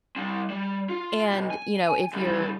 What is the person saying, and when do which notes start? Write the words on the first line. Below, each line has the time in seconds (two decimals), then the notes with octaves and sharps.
And, you know, if you're
0.16 G3 C4
0.50 G3
0.89 F4
1.31 B1
1.50 G#5
2.13 C#2 G3